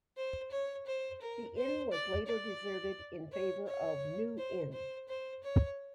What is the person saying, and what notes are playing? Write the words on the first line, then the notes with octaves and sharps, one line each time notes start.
The inn was later deserted in favour of New Inn.
C5
C#5
C5
A#4
C5
D5
D5
C#5
C#5
C5
C5
C5
C#5